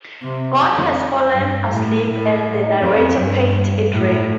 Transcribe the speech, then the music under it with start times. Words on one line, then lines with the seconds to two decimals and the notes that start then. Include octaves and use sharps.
God has fallen asleep and the narrator paints a dream.
0.22 C3
0.59 F2
1.33 G2
1.70 A2
2.07 A2
2.82 F2
3.19 G2
3.92 A2